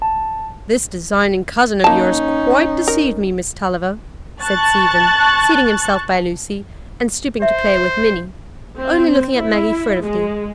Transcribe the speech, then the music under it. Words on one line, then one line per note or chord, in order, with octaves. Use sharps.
"This designing cousin of yours quite deceived me, Miss Tulliver," said Stephen, seating himself by Lucy, and stooping to play with Minny, only looking at Maggie furtively.
A5
A#3 C#4 D#4 A5
A#4
A5 C#6 F#6 A6
C5 E5
C4
E4
G#3